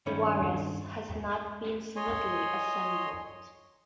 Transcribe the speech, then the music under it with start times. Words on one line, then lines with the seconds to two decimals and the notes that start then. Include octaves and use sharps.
"Juarez" has not been smoothly assembled.
0.06 G2 D#3 C#4 C#5 B5
1.96 C#5 D#5 G#5 C6